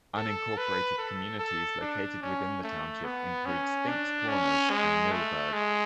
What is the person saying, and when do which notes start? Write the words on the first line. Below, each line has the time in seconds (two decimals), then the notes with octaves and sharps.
Unincorporated communities located within the township include Spinks Corners and Millburg.
0.17 A4
0.58 B4
0.99 A4
1.40 A4
1.81 D4
2.22 C#4
2.63 A3
3.05 B3
3.46 C#4
3.88 D4
4.29 C#4
4.70 G#3
5.12 A3
5.53 G#3